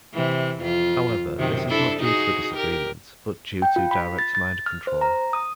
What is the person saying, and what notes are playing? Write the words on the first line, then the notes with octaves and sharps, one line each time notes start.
However, this is not due to a disagreement, but due to direct mind control.
C3 E3
F2 F4
F#2 C3 D#3
D4 E4 A4
D#4 F#4 G#4
G4 A#4
G5
F4
B5
A6
A6
F6
C5
A#5
D#6